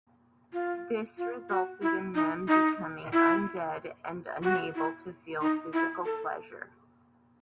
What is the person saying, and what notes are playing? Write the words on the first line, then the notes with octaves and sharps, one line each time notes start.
This resulted in them becoming undead and unable to feel physical pleasure.
F4
F4
F#4
E4
D#4
D#4
E4
F#4
E4
D#4
E4
A4